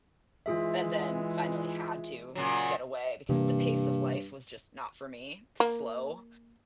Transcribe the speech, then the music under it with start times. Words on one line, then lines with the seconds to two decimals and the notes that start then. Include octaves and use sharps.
and then finally had to get away because the pace of life was just not for me, slow.
0.46 E3 G#3 F4 G#4 E5
2.35 A#2 C#3 F#3
3.29 G2 C3 E3 A#3
5.60 A#3